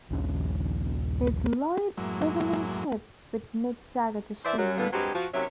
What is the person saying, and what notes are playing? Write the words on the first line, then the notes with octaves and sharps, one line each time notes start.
Those lithe, swivelling hips put Mick Jagger to shame.
A#1 D#2 C#4
F#2 A2 F#3 G#3 A#3 E4
E3 C5 D5 E5
F#2 F#3
E2 A2 D3 A#3 B3
G2 F#3 G#3 C4 F#4 G4
F3 F#4
D#2 C3 F#3 C#4 E5